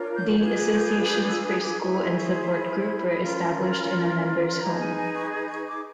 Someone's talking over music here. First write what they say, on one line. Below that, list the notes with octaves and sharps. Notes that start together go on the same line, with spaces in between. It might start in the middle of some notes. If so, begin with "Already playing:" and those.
The Association's first school and support group were established in a member's home.
Already playing: D4 F4 A#4 C#5
G6
D4 F4 G#4 B4 G#6
G6
G6
E6
D#6
D6
E4 G#4 C5 C#6
C6
C#6
C6
B5
C#4 F4 A#4
D#4 G#4 B4 A#5
A5
G#5
G#5
C#6
C#6
D6